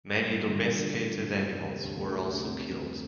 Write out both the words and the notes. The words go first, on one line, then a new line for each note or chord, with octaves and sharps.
Many domesticated animals were also killed.
G2
G2
D3
G2
D3
A3
G2
G2
C3
C3
C3
D2
A3
C3
D2
C4